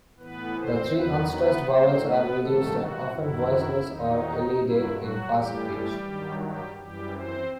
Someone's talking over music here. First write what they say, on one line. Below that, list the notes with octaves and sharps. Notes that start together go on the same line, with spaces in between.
The three unstressed vowels are reduced and often voiceless or elided in fast speech.
A2 E3 B3 B4
C4 C5
E2 D#3 F#3 B3 B4
B3 B4
A2 F#3 C4 C5
B3 B4
G2 D#3 F#3 A3 A4
F#3 F#4
F#2 D#3 F#3 E4
E2 D#3 F#3 D#4
G2 F#3 E4
F#3 F#4
A2 E3 G3 G4
G2 D#3 F#3
G3 G4
F#2 E3 G3 G4
C4 C5